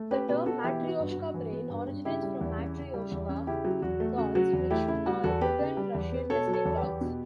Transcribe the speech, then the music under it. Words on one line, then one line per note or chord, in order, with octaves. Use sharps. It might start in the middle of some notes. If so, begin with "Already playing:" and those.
The term "matrioshka brain" originates from matryoshka dolls, which are wooden Russian nesting dolls.
Already playing: A3
C#4 G4 B4
B2 G4 B4
B2 F#4 A4
E3 E4 G4
B3
F#4
G2
F#4
G2
E3
B3
G2
G2
C#3 E4 G4
G3
E2
C#4
C#3
G3
E2
C#4
C#3 E4 G4
F#3
E2 F#4
A3
C#3 F#4
F#3 F#4
E2
A3 E4 G4
C#3 E4
G3 F#4
E2 F#4 A4
B3 G4 B4
C#3
G3
E2
B3
B2 A4 C#5
F#3
A4 C#5
E2
G4 B4
E2
B2